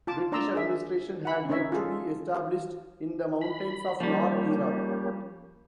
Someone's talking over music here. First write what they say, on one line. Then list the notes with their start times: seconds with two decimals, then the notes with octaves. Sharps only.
British administration had yet to be established in the mountains of north Iraq.
0.07 F4 A5 D6
0.32 D4 D5 A#5 C6 E6
0.55 G#4 A#4 E5
1.25 F#5 B5
1.49 C#4 D#4 A#4 C#5 E5
1.72 F4 G#4 A4
3.41 B5
4.00 F3 G3 A#3 C#4 G4